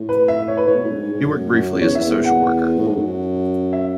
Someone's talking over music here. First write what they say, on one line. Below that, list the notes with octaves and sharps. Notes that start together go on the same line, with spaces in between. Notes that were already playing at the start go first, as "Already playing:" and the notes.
He worked briefly as a social worker.
Already playing: A2
B4
E5
C#5
B4
A2 C#5
B2
A2
F#2
G#2
G#2
F#2
F#2
E2 C#5
E2 E5
F#5
A2
G#2
F#2
E5